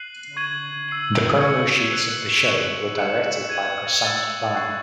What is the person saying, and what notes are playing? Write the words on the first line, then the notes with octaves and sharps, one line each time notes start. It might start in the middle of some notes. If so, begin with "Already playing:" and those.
The promo shoots of the show were directed by Prasanth Varma.
Already playing: F#6 C7 D#7 F#7
C#6 G#6 D#7 F#7
E6 C7 D#7 F#7
C#6 G#6 C#7 F#7
F#6 C7 F#7
C#6 F#6 C#7 F#7
F#6 C#7 E7
G#6 D#7 F#7
E6 A6 D#7
C#6 F#6 C7